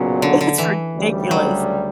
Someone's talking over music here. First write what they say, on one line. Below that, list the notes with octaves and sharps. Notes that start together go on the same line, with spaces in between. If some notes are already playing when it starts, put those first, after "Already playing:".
It's ridiculous.
Already playing: B1 A#2 C#3 F#3 B3
D3
D3
E3
D2 C#3 G3
F#3